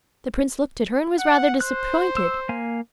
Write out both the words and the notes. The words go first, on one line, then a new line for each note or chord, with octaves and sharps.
The prince looked at her and was rather disappointed.
F#5
C5 F#6
E6
A#3 F5 G#5